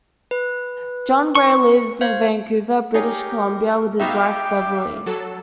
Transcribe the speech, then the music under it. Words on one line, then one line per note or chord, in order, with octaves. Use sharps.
John Gray lives in Vancouver, British Columbia with his wife Beverlee.
B4
C#6
C5 F5 G#6
D#4 G4 G#4 A#4 C#5
B3 D#4 F#4 E5 F5 G5 D6
F#3 A4